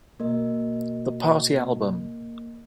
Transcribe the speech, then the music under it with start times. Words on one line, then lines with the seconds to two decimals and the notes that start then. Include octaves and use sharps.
The Party Album!
0.20 B2 A#3 A#4 D#5